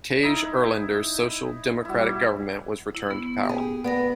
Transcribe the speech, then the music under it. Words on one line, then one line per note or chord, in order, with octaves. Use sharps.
Tage Erlander's Social Democratic government was returned to power.
D#4 E4
G3 E4 F#4
E4
B3
G4 G#4
B3 D5 B5 A#6